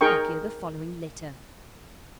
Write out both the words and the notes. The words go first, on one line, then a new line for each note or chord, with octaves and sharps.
Lockyer the following letter.
D#4 G#4 A#4 G5 C#6